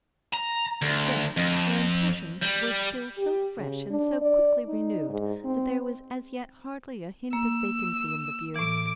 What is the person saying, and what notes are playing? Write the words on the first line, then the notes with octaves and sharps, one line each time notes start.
Then her impressions were still so fresh and so quickly renewed that there was as yet hardly a hint of vacancy in the view.
A#5
D2
F2
G3
G4
C#3
D4
D5
D#4
G#2
C4
A#3 E6
A2 E3 D6 D7